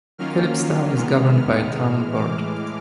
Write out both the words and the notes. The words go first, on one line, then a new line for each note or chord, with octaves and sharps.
Philipstown is governed by a town board.
D#3 F#3 A#3 C#4 F4 F6
F6
C3 D#3 G#3 B3
F6
A2 E3 G#3
D6